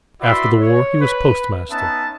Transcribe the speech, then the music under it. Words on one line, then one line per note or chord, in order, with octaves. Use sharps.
After the War he was postmaster.
E4 F#4 B4 D5 E5 C6
C#5
B4
B3 C#4 D#4 B4 E5 A5